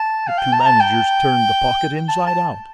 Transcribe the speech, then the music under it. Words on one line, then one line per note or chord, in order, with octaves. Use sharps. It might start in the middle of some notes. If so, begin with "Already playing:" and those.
The two managers turned the pocket inside out.
Already playing: A5
F5
G5
A5
A#5
A5
G5
A5
A5